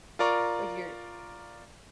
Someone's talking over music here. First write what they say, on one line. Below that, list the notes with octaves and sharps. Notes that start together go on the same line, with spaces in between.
Like, you're
F4 A#4 D5 A#5 C#6